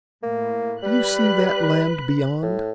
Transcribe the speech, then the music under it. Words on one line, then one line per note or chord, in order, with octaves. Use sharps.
Do you see that land beyond?'
A2 A#3
G3 B4 F#6
A2